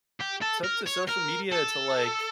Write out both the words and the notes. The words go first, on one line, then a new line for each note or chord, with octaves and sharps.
took to social media to, like,
G4
A4
A#4
C#5
A#4
A4